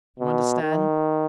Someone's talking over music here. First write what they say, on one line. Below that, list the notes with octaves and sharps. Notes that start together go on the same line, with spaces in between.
You understand?
B2
D#3